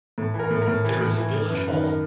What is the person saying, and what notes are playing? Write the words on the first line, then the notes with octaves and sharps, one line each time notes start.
There is a village hall.
A2
E3
A#4
A2
A#4
A2
E3
A2
E3
A2
F#2 B4
D#3 B4
A#4